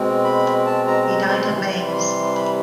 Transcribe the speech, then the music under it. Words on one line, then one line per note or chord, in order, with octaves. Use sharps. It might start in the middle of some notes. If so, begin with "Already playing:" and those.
He died at Mainz.
Already playing: B2 G#3 C4
B5
A5
A#5
A#5
C6
C3 E3 G3 C6
B5
C6
C6
B5